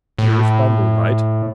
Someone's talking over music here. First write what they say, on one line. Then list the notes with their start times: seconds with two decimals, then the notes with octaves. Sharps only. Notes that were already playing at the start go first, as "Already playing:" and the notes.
Piers by moonlight.
0.18 A2